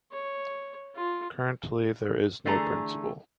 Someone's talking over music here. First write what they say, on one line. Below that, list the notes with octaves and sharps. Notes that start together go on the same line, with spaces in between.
Currently there is no principal.
C#5
F4
D3 E3 A3 G#4 A#5